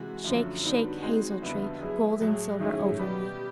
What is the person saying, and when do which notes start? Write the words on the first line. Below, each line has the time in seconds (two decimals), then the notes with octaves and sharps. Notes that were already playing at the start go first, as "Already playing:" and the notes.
"Shake, shake, hazel tree, Gold and silver over me!"
Already playing: C3 E3 G#3 F#4
0.24 F#2 D3 F3 A3
0.63 D3 G3 B3 D#4 F#4
1.03 G#3 C4 D#4
1.42 F2 D3 G3 B3 E4
1.81 F#3 B3 E4 G#4
2.20 A2 F#3 A3 G#4
2.59 D#3 F#3 A3 C#4 E4 G#4
2.99 B2 G3 B3 G4